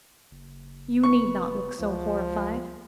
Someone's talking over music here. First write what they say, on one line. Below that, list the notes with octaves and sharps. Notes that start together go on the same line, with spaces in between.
You need not look so horrified.
F#1
B4 C#6
C#2 F3